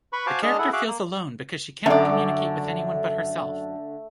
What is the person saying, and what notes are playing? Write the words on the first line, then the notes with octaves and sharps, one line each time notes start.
The character feels alone because she cannot communicate with anyone but herself.
B4 B5 C#6
F#4 C5 F5 G#5 A5 D6
G#3 D4 G#4 D#5 A5 F6
E4 G#4 A4 F#5
F#4 G#4 E5 F5 D6 F#6
A#3
F#2 D3 A3 D5